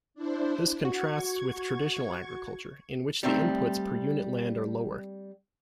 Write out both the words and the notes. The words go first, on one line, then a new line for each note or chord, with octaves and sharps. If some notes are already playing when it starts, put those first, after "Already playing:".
This contrasts with traditional agriculture, in which the inputs per unit land are lower.
D4 E4 C5
F#4 C#6 G#6
G3 A3 C4 D#4